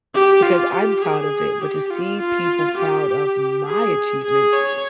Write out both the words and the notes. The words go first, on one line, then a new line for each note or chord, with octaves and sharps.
because I'm proud of it. But to see people proud of my achievements
G4
F4
G4
G#4
G4
F4
F4
G4
G#4
G#4
C#5